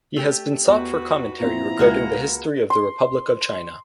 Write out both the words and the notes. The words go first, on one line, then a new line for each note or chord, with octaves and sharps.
He has been sought for commentary regarding the history of the Republic of China.
A3 G4
E2 F#4 B4
A#2 F3 B3 C4 E4 A#5
C#2 A#3 F#4 G#4 C#7
C6